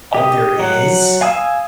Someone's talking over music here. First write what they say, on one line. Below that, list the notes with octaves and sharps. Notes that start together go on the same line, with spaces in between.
Oh, there is?
G4 D#5
F#3 F#5
F5 G#5 D#6 E6